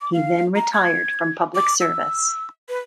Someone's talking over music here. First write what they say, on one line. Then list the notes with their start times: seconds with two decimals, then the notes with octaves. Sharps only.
He then retired from public service.
0.01 D6
0.13 F5
0.56 A#5
0.74 G#6
1.55 D6
1.81 E6
2.69 B4